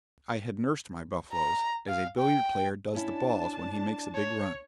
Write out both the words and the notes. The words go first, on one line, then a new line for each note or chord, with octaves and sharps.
I had "nursed" my buffaloes, as a billiard-player does the balls when he makes a big run.
A#5
F5
G5
C#4 D4 E4 A5
C#5